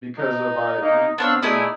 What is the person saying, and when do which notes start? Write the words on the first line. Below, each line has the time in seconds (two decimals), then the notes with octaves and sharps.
because of I me eating
0.18 D#4
0.81 A#3 D#4
1.18 B3 D4 C5 C#5 F5 E6
1.42 A3 D#4 E4 G#4 D5 D#6